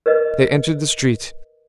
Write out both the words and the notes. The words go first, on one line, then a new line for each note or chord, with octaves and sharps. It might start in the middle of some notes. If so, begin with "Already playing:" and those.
They entered the street.
A#4 B4 D#5